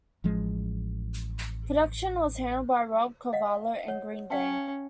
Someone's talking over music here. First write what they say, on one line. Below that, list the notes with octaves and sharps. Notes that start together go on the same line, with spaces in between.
Production was handled by Rob Cavallo and Green Day.
A1 F3 G#3
D#5 F5 F#5
C#5 F#5
C#4 F5 G5 A5